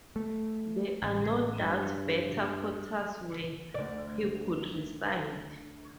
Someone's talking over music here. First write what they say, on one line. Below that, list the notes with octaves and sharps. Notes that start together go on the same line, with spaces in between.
There are no doubt better quarters where he could reside.
A3
A1
G2
D2 D5